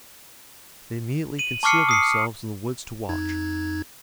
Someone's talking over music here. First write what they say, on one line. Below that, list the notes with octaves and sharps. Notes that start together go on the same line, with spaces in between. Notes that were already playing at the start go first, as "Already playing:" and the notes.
They immediately concealed themselves in the woods to watch.
D#7 F#7
A5 C#6 D6 F6 C7 C#7
D#6 C7 C#7
F2 D#4 G#6